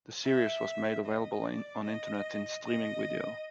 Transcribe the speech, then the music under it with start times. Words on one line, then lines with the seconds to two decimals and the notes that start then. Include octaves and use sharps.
The series was made available on internet in streaming video.
0.25 E5
1.05 D#5
1.45 D5
1.85 D#5
2.65 D#5